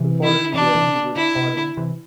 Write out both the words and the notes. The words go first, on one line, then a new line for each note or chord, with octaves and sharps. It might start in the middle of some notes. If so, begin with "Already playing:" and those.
The following year, he was pardoned.
Already playing: C3 E3
E4
C3 E3 D4
C3 E3
D3
D3 E4
C3
D3
C3 E3